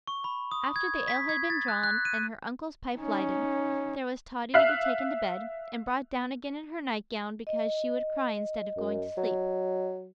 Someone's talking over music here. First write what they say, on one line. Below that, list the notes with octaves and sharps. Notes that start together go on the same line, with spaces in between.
After the ale had been drawn and her uncle's pipe lighted, there was Totty to be taken to bed, and brought down again in her night-gown because she would cry instead of going to sleep.
C#6
B5
D#6
G#6
B6
G#6
A6
F#6
F#6
D#7
C#4 D#4
E5 F5 F6 F#6 C7
D#5
F#2
F#3